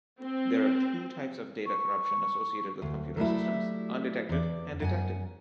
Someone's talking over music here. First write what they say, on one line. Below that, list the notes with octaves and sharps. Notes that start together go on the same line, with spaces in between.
There are two types of data corruption associated with computer systems: undetected and detected.
C4
C#6
D2
F#3 G3 A3 E4
E2 D5
F#2 F#5 G#5